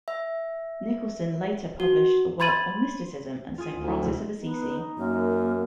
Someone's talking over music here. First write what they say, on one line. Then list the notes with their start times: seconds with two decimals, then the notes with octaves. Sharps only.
Nicholson later published a work on mysticism and Saint Francis of Assisi.
0.08 E5
1.80 F#4
2.40 B5 C6 G#6 A6 D#7 F#7
3.58 F4 G#4 D#7
3.74 D2
3.87 E4
4.02 F1 C#2
4.41 B3 D#4
4.98 F#2 A#3 A#4